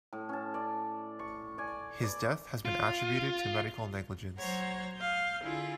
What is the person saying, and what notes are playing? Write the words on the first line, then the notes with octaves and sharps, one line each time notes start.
His death has been attributed to medical negligence.
A2
C#4 A5
D5
C#6
D5 G#5
D5 B5 D6
F4
F#3 C5 C#5 F#5 A#5
F5 D#6 G6
D3 E4 F4 G#4